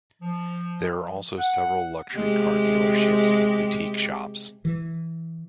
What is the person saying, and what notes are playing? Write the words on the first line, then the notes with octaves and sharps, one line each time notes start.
There are also several luxury car dealerships and boutique shops.
F3
F#5
C3 G#3 G4
E3